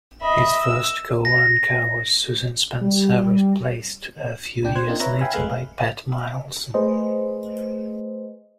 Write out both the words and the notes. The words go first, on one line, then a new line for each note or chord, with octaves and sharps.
His first co-anchor was Susan Spencer, replaced a few years later by Pat Miles.
D#5 E5 B5
E6
A#6
G3
C#2 C3 D4 G5
C5 F#6 G#6
A#3 C4 D4 D#4 F4
B4 C#5 E5 A#5
E5 F5 G5 G#5 B5
A1 F2 G#3 A3 B4 F5
A3 G#4 B4 C5 D#5